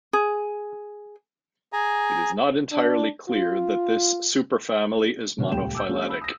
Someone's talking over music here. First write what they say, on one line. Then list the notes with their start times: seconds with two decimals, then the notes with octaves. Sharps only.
It is not entirely clear that this superfamily is monophyletic.
0.13 G#4
1.73 G#4 G#5 A#5
2.72 D4
3.28 F4
5.38 B2 D3 E3 C#4 F#4
5.52 D#1 C#2 G#3 G4 G5 E7
5.75 D6 E6 G6
5.89 G#3 A#3 C#4 D4 F#4
6.09 B5 E6
6.21 D#6 A#6